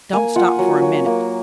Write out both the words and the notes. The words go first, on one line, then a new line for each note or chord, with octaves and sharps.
Don't stop for a minute.
A#3 G#5
F4 F#5
F#3
F#3
A#3